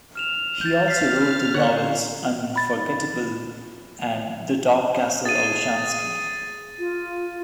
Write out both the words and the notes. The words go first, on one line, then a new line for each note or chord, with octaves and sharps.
He also wrote the novels "Unforgettable" and "The Dark Castle Olshansky".
F6 E7 F7
G6 A6
F6 A6 B6 C7
D3 C#5 F#6
B5 A6
G#4 A6 D#7
F4